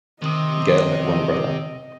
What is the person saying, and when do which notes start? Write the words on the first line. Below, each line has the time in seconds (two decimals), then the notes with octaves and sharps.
Gale had one brother.
0.22 C3 D#3 C4 D#5 D#6